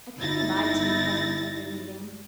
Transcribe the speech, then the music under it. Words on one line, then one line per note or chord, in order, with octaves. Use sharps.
I couldn't abide to be present at their meeting.
G1 D#4 E4 A6 A#6